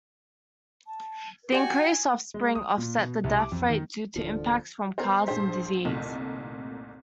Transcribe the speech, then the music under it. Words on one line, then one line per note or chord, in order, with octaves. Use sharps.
The increased offspring offset the death rate due to impacts from cars and disease.
A5
F#4 G4 D5 G5 G#5
G#3
D#6
A#2
B2
C2
D6
F2
D#3
D1 D2 D3 E3 F3
B3 A#4 C5
A#1 G2 G#4 C5 B6
G1 C2 A#2 A3 D#4